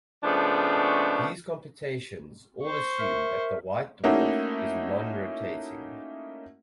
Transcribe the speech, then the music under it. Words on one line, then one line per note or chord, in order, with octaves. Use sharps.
These computations all assume that the white dwarf is non-rotating.
C#3 F3 G#3 A3 B3 D4
C5 C#6
A#4 E5
A3 A#3 C#4 D#4 E4 F#4